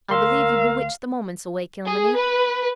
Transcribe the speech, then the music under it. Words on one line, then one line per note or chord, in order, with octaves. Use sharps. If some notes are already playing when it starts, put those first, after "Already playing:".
I believe you bewitch the moments away, Kilmeny.
D2 A#4 F5 A#5 C6 E6
G#4
B4